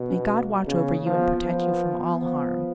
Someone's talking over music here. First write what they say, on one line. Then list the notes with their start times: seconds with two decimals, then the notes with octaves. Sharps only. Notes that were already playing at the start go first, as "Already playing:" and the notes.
May God watch over you and protect you from all harm.
Already playing: B2
0.10 C#4
0.15 B3
0.42 A#3
0.67 C#3 B3
0.92 A#3
1.05 F3
1.18 B3
1.43 F3 B3
2.21 F3